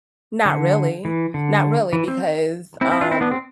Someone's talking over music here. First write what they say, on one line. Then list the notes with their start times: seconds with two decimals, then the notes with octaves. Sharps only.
not really. Not really, because, um
0.45 D3
1.05 E3
1.34 D3
1.93 E3
2.08 C4
2.81 C4 E4
2.91 C4 E4
3.01 D4 F4
3.11 C4 E4
3.21 B3 D4
3.31 C4